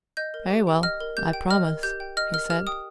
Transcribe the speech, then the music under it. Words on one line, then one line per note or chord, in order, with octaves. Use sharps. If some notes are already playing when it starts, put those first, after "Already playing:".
"Very well--I promise," he said.
D#5 G6
A#4
G4
G5
D#5 F6
A#4
G4 G6
G5
D#5 F6
A#4
G4 G6
G5
D#5 F6
A#4 F6
G4 F6
G5 D#6